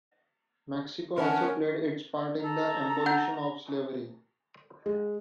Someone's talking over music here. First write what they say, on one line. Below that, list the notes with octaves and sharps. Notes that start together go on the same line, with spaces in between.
Mexico also played its part in the abolition of slavery.
E3 C#4 A#4 F#5 A5
A4 A#5
F#5 G6
G#3